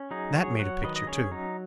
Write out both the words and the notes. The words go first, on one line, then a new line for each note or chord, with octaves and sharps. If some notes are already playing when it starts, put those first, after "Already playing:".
That made a picture, too!
Already playing: C#4
F#3 D#4 G#4
F#3 G#4 C#5
F#3 C#5 F#5
D#3 B4 D#5
D#5
C#4 G#4 C#5
F#3 D#4